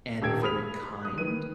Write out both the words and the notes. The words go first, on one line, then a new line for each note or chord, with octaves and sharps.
and very kind,
D#1 G4 E6 G#6 D7
B5 D#6 F6 B6 F7
D#6 F#6
D#3 B4 D#7